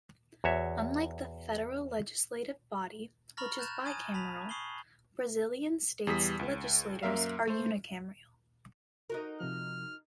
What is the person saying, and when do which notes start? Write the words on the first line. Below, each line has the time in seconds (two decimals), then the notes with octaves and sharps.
Unlike the federal legislative body, which is bicameral, Brazilian states legislatures are unicameral.
0.44 E2 F#4 C#5 E5
3.37 A#5 B5 C#6 F6 A6 A#6
3.58 F#6 G6 A6 E7 F7
3.85 G#5 A5 D#6 G#6 D#7
4.14 A5 B5 B6 F7
4.49 C#6 D#6 C7 F#7 G7
6.07 E2 G3 D#6 B6
6.39 C#2
7.03 F#2 A#3 A#4 E5 F5
7.47 A3 C5
9.10 D#4 F#4 A#4
9.41 C3 F3 F6